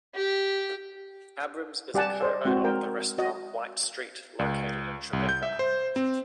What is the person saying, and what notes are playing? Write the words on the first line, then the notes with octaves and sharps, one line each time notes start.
Abrams is a co-owner of the restaurant White Street, located in Tribeca.
G4
G3 G4 D5 F#5 G#5 A5
C5 D5 D#5
G#3 C4 E4 F#4 C5
G#3 A#4 G5
F#4 C#5 D#5
C#2
C2
G6
E5
C5
C4